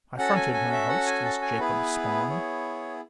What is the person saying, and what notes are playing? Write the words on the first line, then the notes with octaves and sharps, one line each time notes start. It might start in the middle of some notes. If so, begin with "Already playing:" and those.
I fronted my host, this Jacob Spawn.
C#4 F#4 A4 F#5
A5
G#5
G#5
E5
F#5
G#5
A5
G#5
B3 E4 G#4 B4
C#5